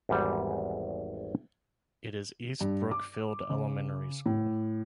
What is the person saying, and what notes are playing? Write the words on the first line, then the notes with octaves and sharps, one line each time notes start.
It is East Brookfield Elementary School.
G#1 E2 G#2 G3 F#5
G2
D6
C#3
A2